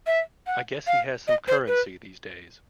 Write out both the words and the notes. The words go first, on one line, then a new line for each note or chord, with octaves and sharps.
I guess he has some currency these days.
E5
F#5
F5
D#5
C5
B4